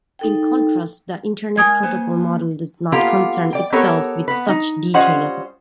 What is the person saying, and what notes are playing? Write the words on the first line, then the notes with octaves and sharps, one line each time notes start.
In contrast, the Internet Protocol model does not concern itself with such detail.
D#4 A4 G5
G#3 A#4 G#5 D#6 G#6
A#3 B4 C5
A#3 B3 F4 G4 A4
D5 G5
B3 G4 A4 A#4 C#5
B3 B4
D#4
G3 C#4 F4 C5 D#5 F#5